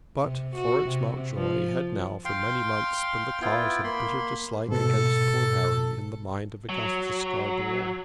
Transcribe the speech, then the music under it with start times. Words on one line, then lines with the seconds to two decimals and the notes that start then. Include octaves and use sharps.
But Florence Mountjoy had now for many months been the cause of bitter dislike against poor Harry in the mind of Augustus Scarborough.
0.23 C3
0.56 F#4
0.87 C3
1.35 F3
2.25 F5 G5 C6
3.42 B3 E4 F4 G5
3.84 A#3 B5 C6
4.68 G#2 B2 A4
6.69 F#3